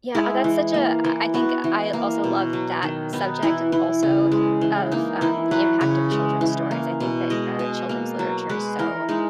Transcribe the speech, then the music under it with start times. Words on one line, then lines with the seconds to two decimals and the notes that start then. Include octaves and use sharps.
Yeah, uh, that's such a I I think I also love that subject also of, um, the impact of children's stories. I think that, uh, children's literature is so,
0.15 G#3 E4
0.44 E3
0.74 A#3
1.04 E3
1.34 B3 F#4
1.64 E3
1.93 A#3
2.24 B2
2.53 F#3
2.83 D#3
3.13 B3 D#4
3.43 E3 E4
3.72 E3 E4
4.03 C#3
4.32 G#3
4.61 E3
4.92 A#3 D#4
5.21 E3 E4
5.51 F#3 B4
5.81 C#3 C#5
6.11 G#3
6.41 E3
6.71 A#3
7.00 B2
7.30 G#3 D#5
7.59 B2
7.89 A#3
8.19 F#3
8.49 G#3 B4
8.79 E3 A#4
9.09 G#3 D#4